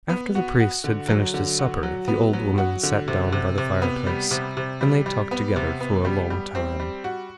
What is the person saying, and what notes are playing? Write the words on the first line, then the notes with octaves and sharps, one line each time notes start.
After the priest had finished his supper the old woman sat down by the fire-place, and they talked together for a long time.
B3
F#4
F#4
D3
F#3
D3
F#4
F#3
B3
F#3
F#4
D3
C3
C3
C3
B3
G3
C3
C3
G3
G3
B3
C3
B3
G3
G3
C4
G3
F#4